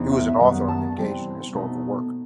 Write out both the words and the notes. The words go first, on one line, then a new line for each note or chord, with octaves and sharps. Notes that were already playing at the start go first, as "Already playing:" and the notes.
He was an author and engaged in historical work.
Already playing: E2 C3 E3 B3 D#4
E5
E5
F#2 D#3 G3 B3 D#4 F#5
A5
C3 E3 G3 C4 G5
B2 A3 D#4